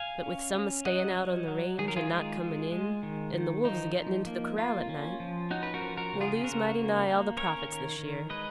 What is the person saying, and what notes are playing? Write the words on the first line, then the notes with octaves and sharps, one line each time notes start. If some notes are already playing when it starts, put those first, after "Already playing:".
But with some a stayin' out on the range, an' not comin' in, an' the wolves a gettin' into the corral at night, we'll lose mighty nigh all the profits this year.
Already playing: F5 G#5
C#4
C#4
F#3 D#5 F#5
F#3
F#3
D#3 G#4
A#4
F4 G#4
G#3
G#3
G#3
D#3
D#3
F3 D#4
F3
A#3
A#3 F4
C#4
F3
C#4 D#4 F#4
B4
F#4 A#4
F3
F#4 A#4
C#3
F4 G#4
C#3 F#4 A#4
A#3
A#3
C#4 A#4 C#5
D#3
D#3
G#3 B4 D#5